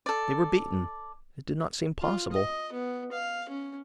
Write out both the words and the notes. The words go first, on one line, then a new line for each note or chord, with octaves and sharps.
They were beaten. It did not seem possible.
A4 D5
F4
D#5
B3
F5
C#4